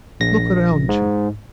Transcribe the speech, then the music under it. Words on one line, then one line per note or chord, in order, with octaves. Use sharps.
Look around you.
A#1 A#6
G#2